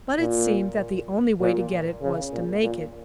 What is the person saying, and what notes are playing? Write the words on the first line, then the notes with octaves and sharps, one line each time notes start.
But it seemed that the only way to get it was to make it.
A#2
A#2
C#3
A#2
A#2